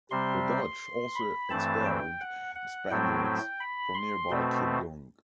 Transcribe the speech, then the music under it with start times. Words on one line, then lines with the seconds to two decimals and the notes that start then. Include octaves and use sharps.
The Dutch also expelled the Spaniards from nearby Keelung.
0.11 C3 G3 C4 C6
1.15 B5
1.50 G2 E3 A3 C4 A5
1.85 G5
2.20 F#5
2.55 F#5
2.90 A2 F#3 A3 C4 G5
3.25 G5
3.60 B5
3.95 C6
4.30 B2 A3 C4